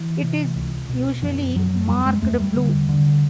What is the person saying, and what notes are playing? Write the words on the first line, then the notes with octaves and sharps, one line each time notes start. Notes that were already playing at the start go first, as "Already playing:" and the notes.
It is usually marked blue.
Already playing: E3
C3
C#2
B2
F#2 F3
F#2 F#3
E2 G3
G#3
E2 A3
G3
D3
D3